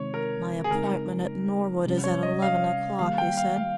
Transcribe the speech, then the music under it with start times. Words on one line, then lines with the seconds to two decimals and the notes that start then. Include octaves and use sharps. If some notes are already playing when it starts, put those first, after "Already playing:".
"My appointment at Norwood is at eleven o'clock," he said.
Already playing: C3 D#3 G#3 C4 D#4 C#5
0.14 A#4
0.64 G#4
0.71 C#3 G#3 C4 D#4 A#4
1.85 C3 G3 C#4
2.04 C#5
2.23 D#5
2.42 F5
2.99 D#3 G3 A#3 F5
3.18 G5
3.37 F5
3.56 F5